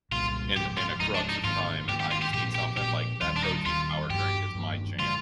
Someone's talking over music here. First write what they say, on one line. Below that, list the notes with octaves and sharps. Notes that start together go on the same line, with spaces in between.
in, in a crux of time, and I just need something, like that protein power drink is my jam.
C2 A#2 G3 A#3 F4
G#2 F3 G#3 G4
F4
G#2 F3 G#3 D#4
D4
D#4
G#2 D#3 A#3 D4 F4
G#2 D#3 A#3 D4 G4
G4
F4
G4
A#2 F3 C4 G4
G4
A#2 F3 C4 G4
D#2 D#3 G3 F4
D4
D#4
D#2 D#3 G3 F4
G2 F3 A#3 G4
G2 F3 A#3
D3 F3 G#3 F4